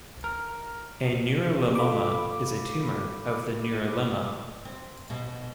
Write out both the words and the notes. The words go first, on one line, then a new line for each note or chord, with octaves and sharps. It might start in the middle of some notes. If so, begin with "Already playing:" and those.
A neurilemoma is a tumor of the neurilemma.
A#4
F4 A4 F5 B5 D6
C4
B2